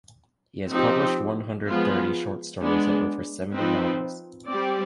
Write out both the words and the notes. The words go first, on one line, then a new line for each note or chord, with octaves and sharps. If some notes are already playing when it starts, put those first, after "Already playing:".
He has published one hundred thirty short stories and over seventy novels.
F3 C4 D#4 G4
F3 G#3 B3 F4
G#3 B3 D4
F3 C4 D#4 B4
G3 C4 G4 D5